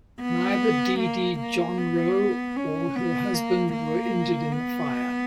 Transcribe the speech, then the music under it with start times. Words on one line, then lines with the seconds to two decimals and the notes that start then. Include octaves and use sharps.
Neither DeeDee Jonrowe or her husband were injured in the fire.
0.21 B3
1.00 A#3
1.39 A#3
1.78 B3
2.56 C#4
2.95 B3
3.34 A#3
3.73 A#3
4.52 B3